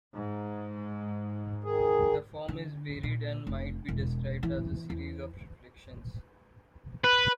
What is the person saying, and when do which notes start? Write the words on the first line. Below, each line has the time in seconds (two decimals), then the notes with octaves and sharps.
The form is varied and might be described as a series of reflections.
0.14 G#2
1.64 D#3 G#4
2.48 D3
3.03 A#2
3.47 F1
3.89 E1
4.43 E3
4.90 E2
7.04 B4